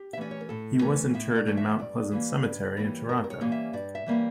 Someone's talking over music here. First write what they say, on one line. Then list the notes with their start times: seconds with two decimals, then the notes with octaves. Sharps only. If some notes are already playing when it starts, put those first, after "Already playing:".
He was interred in Mount Pleasant Cemetery in Toronto.
Already playing: G4
0.13 E5
0.17 E3 A3 C#4 D5
0.31 C#5
0.41 A#4
0.49 A2 A4
0.81 E3 A3 C#4 A#4
1.14 A2 E5
1.35 D5
1.46 E3 A3 C#4
1.57 E5
1.79 G2 D5
2.11 E3 G3 A#3 C#4
2.44 G2
2.77 E3 G3 A#3 C#4
3.09 G2 A#4
3.24 A#4
3.30 C#5
3.41 E3 G3 A#3 C#4
3.52 E5
3.73 G2 D5
3.95 E5
4.06 E3 G3 A#3 C#4